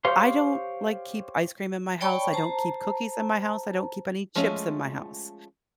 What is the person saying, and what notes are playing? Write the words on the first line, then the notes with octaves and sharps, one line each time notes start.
I don't, like, keep ice cream in my house, I don't keep cookies in my house, I don't keep any chips in my house,
G4 C5 C#5 F5 C6
C#5 D5 G5 A5 B5 C#6
C5 A5 A#5
F3 G#3 A3 C#4